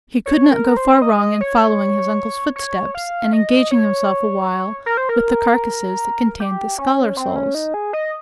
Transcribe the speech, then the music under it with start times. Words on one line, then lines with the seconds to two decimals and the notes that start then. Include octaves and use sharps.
He could not go far wrong in following his uncle's footsteps, and engaging himself awhile with the carcases that contained the scholar souls.
0.26 C#5
0.51 A#4
0.77 C5
1.02 D#5
1.41 C#5
2.56 C#5
2.95 F5
3.33 D#5
3.71 C#5
4.86 A#4
4.97 C5
5.09 A#4
6.40 G4
6.78 C#4
7.17 C4
7.36 C#4
7.55 D#4
7.74 G#4
7.93 D#5